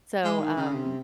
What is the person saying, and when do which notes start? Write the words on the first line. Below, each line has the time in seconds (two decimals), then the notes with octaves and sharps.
So, um
0.24 G#3
0.40 D#3
0.57 C#3
0.73 C3